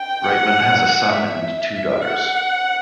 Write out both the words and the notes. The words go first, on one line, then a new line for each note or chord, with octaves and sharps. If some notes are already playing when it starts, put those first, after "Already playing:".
Reitman has a son and two daughters.
Already playing: G5
F#5
E5
F#5